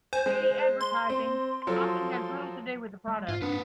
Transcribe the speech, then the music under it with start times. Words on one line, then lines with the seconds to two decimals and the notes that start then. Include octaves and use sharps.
Beauty advertising often has little to do with the product.
0.13 C5 G#5
0.26 G#3
0.81 C6
1.10 C4
1.67 F3 F#3 A4
3.08 G#3
3.28 G#2 F4
3.42 C4 D4 B4